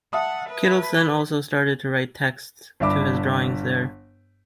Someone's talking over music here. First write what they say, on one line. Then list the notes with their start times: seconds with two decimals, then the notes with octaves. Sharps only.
Kittelsen also started to write texts to his drawings there.
0.13 E5 F#5 A5 D#6
0.50 B4
2.80 G1 G2 D4 E5 B5 D6